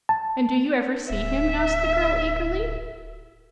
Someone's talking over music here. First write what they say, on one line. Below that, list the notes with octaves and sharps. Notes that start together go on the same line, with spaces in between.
"And do you ever see him?" asked the girl, eagerly.
A5
D1 E5